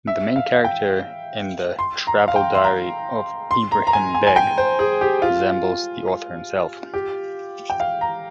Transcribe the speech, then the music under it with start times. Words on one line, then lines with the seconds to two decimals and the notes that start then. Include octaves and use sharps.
The main character in the "Travel Diary of Ebrahim Beg" resembles the author himself.
0.07 E5
0.36 F5
0.55 F5
0.64 G5
1.79 C6
2.07 A#5
2.28 F5
2.36 G5
2.55 C6
2.64 A#5
3.51 C6
3.72 A#5
3.87 A#5
3.93 G#5
4.14 G#5
4.27 G#5
4.36 G5
4.58 C5
4.79 G#4
5.01 G4
5.22 F4
6.94 G4
7.70 G5
7.80 F5
8.01 A#5